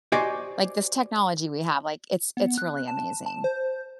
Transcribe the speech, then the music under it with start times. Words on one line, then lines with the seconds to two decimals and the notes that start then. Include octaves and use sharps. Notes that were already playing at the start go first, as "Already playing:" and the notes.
like, this technology we have, like, it's it's really amazing.
0.12 F#4 G4 C5 D5 D#5 G#5
2.37 B3
2.58 F#6
2.88 A5
3.26 A5
3.44 C5